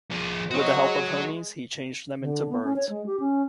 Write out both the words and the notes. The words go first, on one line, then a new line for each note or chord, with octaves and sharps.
With the help of Hermes he changed them into birds.
F3 G#4
C4 F#4 C5 C#5 D#5
G#3
D3
B3
C#4
C#5
G#3
G4
C#4